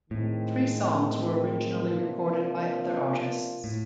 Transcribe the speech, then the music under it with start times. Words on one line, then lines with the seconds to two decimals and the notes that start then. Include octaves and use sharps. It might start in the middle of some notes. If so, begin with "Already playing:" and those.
Three songs were originally recorded by other artists.
0.10 A2 D#3 G#3 C4
1.87 C3 F3 A#3 D4 F4
3.64 A2